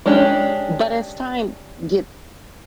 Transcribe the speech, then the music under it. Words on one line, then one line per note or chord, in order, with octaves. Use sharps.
but as time gets
G#3 C#4 D4 G4